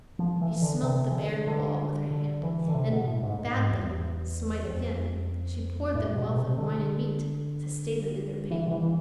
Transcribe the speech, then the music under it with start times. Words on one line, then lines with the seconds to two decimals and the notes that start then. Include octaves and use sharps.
She smote the bare wall with her hand And bad them smite again; She poured them wealth of wine and meat To stay them in their pain.
0.19 F3
0.41 E3
0.62 D3
0.83 C3
1.10 E3
1.15 D3
1.47 D3
2.11 D3
2.43 E3
2.68 D3
2.75 C3
2.92 B2
3.07 A2
3.23 G#2
3.39 G#2
3.71 E2
4.67 F2
5.95 A2
6.16 B2
6.36 C3
6.58 D3
8.50 E3
8.67 D3
8.71 E3
8.83 E3